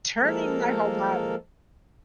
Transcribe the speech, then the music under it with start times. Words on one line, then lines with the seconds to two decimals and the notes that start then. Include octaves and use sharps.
turning my whole body?
0.21 F3 G#3 A#3 A4 A#4